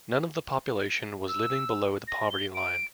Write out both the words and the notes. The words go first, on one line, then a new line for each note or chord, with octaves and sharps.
None of the population was living below the poverty line.
E6
A#6
G7
D7